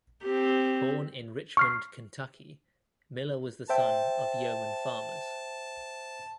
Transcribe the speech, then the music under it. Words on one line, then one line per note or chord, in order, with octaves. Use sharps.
Born in Richmond, Kentucky, Miller was the son of yeoman farmers.
C4 G4
C#6 F6 C7
C5 E5 G5 A5